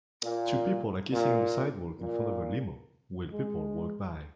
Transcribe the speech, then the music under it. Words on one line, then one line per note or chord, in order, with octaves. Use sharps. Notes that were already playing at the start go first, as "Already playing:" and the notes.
Two people are kissing on a sidewalk in front of a limo while people walk by.
A#2
A#2
A#2
G#3